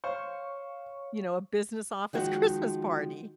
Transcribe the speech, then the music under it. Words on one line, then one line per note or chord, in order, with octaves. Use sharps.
You know, a business office Christmas party.
C5 C#5 F5 C#6
D#3 F3 G#3 F#4